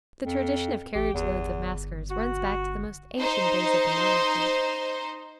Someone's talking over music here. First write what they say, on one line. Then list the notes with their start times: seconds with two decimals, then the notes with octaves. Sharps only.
The tradition of carriage-loads of maskers runs back to the most ancient days of the monarchy.
0.24 F2
0.95 A1 G4
1.14 G1 E2
2.11 F#4
3.18 D#4 C5